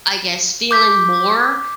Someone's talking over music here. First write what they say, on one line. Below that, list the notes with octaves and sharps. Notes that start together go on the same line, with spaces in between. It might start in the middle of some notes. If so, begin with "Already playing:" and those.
I guess, feeling more
D6 G6 B6